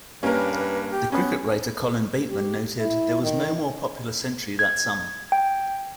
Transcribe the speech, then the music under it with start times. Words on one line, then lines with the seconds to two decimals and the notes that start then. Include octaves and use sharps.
The cricket writer Colin Bateman noted, "there was no more popular century that summer".
0.23 G2 A#3 C#4 A#4 B4
0.91 G4
1.12 B3 C#4
2.30 G4
2.78 E4
3.23 D#3
4.59 G#6
5.32 G5